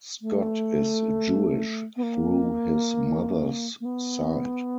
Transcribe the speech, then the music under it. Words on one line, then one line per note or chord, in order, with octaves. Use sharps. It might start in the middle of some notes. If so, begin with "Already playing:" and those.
Scott is Jewish through his mother's side.
A3
B3
A#3
A#3
B3